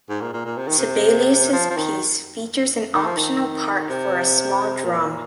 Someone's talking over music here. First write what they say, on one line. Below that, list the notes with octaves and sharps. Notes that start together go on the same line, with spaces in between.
Sibelius’ piece features an optional part for a small drum.
G#2
A#2
A#2
A#2
C3
D#3
C3
F3
F3
D#3
D#3
F3
D#3
C3
A#2